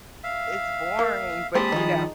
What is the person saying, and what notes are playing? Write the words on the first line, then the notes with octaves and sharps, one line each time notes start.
it's boring, but, you know
E5 F5
A#3
G#3 A#3 C4 G4 A5 B5 D#6
D#3 F3 G#3 D#4